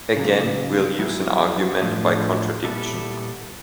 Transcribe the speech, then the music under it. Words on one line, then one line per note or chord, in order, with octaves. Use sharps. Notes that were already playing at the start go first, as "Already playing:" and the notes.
Again, we'll use an argument by contradiction.
C#3 F#3 A#3
F#3 B3 E4 G#4
A2 F3 A3 D4 F4
A#2 G3 B3 E4 A4